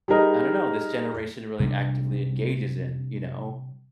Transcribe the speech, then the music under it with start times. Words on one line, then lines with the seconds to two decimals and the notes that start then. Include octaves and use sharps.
I don't know, this generation really actively engages in, you know?
0.08 G3 D#4 G#4 A#4 D#5
1.60 C3 G3 C4 D4